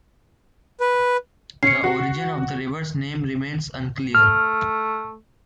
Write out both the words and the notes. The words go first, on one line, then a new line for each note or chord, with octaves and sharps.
The origin of the river's name remains unclear.
B4
C#4 C7 C#7
F#4
A3 F6